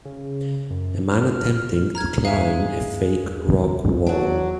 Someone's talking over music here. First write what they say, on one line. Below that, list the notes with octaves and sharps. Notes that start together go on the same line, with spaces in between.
A man attemping to climb a fake rock wall.
C#3
F#2
F6
A#5 F6 G#6
E2 G#3 E5 F5
G2
E2
F#3 D4 F#4